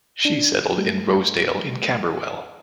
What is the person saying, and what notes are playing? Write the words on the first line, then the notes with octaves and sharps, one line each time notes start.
She settled in Rosedale in Camberwell.
D4
G3 A3